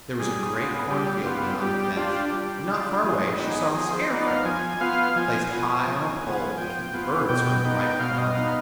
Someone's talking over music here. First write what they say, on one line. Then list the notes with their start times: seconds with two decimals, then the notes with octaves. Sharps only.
There was a great cornfield beyond the fence, and not far away she saw a Scarecrow, placed high on a pole to keep the birds from the ripe corn.
0.19 G3 G#4
0.55 B3 F4
0.90 G3 G4
1.14 G4
1.26 B3 F4
1.38 G4
1.61 G3 G4
1.97 D4 F4 G4
2.32 G3
2.68 D4 F4
3.03 F3 G#4
3.27 G4
3.39 B3 D#4
3.50 G#4
3.74 F3 G#4
3.92 C5
4.10 B3 D#4 D5
4.27 F5
4.45 F3 G#5
4.81 B3 F4 F5
5.16 F3 G#5
5.52 B3 F4
5.87 F3
6.22 B3
6.27 F4
6.58 F3 G5
6.94 B3 F4
7.29 B2 G5
7.64 B3 D#4
7.99 B2 F5
8.18 D#5
8.35 B3 D#4 F5